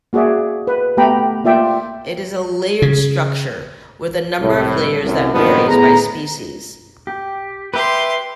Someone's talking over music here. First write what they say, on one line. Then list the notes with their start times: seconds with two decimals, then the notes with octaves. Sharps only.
It is a layered structure, with a number of layers that varies by species.
0.13 A#3 F#4 G#4 D5 E5
0.67 B4
0.97 A3 B3 G4 G5 A#5 B5
1.44 A#3 F4 D5 E5 G5
2.82 C#3
4.40 C2 A2
5.03 C2 F#2
5.32 F#1 G2 A#2 D#3 F3 B3
5.67 A2 B3 G#4 A#5
7.07 G4
7.74 G4 B4 E5 G5 C6